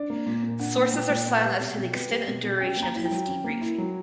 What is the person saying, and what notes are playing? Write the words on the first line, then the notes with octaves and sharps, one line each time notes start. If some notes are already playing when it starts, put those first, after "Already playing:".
Sources are silent as to the extent and duration of his debriefing.
Already playing: D4 D5
A#3
A#2
A#2
D4 F#5
A#3
A#2 G5
A#2
B3
G3
B2
B2
B3
G3
B2
B2
C#4 G5
A#3
A#5
E4
G5
F#3
C#4
A#3
E4
F#3